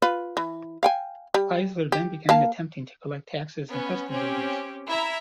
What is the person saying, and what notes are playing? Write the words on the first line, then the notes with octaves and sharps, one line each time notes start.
Leisler then began attempting to collect taxes and customs duties.
F4 B4
E3
F5 G5 G#5
G3
G4
A#3 F5 A5
B3 C#4
C4 C#4 G4
E4 E5 A#5